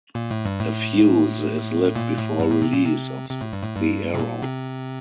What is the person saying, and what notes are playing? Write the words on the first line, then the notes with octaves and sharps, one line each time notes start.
A fuse is lit before release of the arrow.
A#2
A2
G2
A2
A#2
A2
G2
A2
C3
A#2
C3
C3
A2
G2
A2
G2
C3
A#2
C3